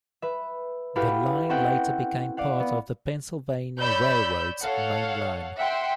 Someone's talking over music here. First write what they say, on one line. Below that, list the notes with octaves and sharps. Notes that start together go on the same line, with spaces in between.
The line later became part of the Pennsylvania Railroad's Main Line.
B4 E5
E4 F#4 G4 A4 B4 F5
C4 C#4 A4 E5 F#5 G5
D5 F5 F#5
B3
C#5 D5 B5 E6 G6
A4 C#5 F5 F#5
E5 F#5 G5 C6